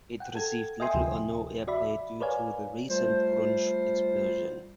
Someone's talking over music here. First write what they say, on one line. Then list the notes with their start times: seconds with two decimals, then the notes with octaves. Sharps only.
It received little or no airplay due to the recent Grunge explosion.
0.20 F#5 G5
0.35 A4 G#6
0.80 D#5 E5 G5 G#5 C6 D#6
0.94 D2 C3 F3
1.67 F#4 D5 E5 B5
2.20 A#4 B4 C#5 D5 F5 G#5
2.89 G3 A3 F4 C5